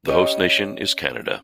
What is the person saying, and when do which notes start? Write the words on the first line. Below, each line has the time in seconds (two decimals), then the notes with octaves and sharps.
The host nation is Canada.
0.08 C#4 G4 D#5